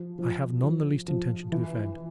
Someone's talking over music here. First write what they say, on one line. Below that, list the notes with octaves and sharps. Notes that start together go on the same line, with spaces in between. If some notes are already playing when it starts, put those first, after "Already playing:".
I have none the least intention to offend.
Already playing: F3
F3
F3
F3
E3